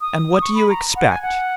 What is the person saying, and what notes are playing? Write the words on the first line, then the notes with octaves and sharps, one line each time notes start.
"And what do you expect?"
D#6
C#6
B5
A#5
F#5
G#5
F#5